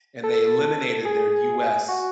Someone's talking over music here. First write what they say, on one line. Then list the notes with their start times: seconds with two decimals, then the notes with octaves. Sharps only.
and they eliminated their US
0.23 A4
1.05 G#4
1.88 F#4